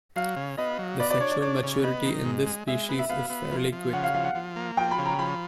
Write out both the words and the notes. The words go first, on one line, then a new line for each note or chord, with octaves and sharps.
The sexual maturity in this species is fairly quick.
F#3 F5
C#3
B3 D#5
F#3
B3 D5
D5
D4 C#5
D5
D4 C#5
C#3
B3 D#5
D#3
G#2
G#3
G#3 E5
B3
E5
B3 F5
B3
F3
F3
C#3 F#5
F5
F3 F5
F#5
F3
A#3
F3 G5
B5
C#3
A#5
F3 B5